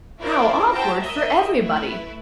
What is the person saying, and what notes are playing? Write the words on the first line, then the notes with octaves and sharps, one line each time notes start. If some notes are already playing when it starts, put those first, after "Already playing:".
How awkward for everybody!
C#4 E4 F4 A#4 C5 D5
E4 F#4 C5 G5 A5 A#5
A#4 D#5 E5
A3 E4 B4